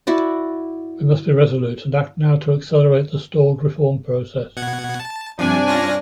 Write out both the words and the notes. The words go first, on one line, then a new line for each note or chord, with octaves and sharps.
We must be resolute and act now to accelerate the stalled reform process.
E4 F#4 D5
B2 F#5 G#6
A5
G2 C3 F3 D4 G#5
C#4 F4 A#6